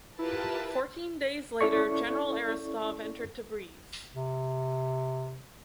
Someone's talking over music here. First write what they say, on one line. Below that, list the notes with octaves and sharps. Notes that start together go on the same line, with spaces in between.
Fourteen days later, General Eristov entered Tabriz.
E4 F4 G4 A#4 B4 A5
C#4 E4 A4 D5 C#6
C3